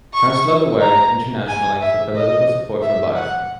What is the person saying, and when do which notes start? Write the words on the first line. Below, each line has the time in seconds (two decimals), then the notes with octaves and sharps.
France led the way, internationally, for political support of Biafra.
0.14 C#6
0.81 A#5
1.48 G#5
1.81 E5
2.15 D#5
2.82 E5
3.16 F#5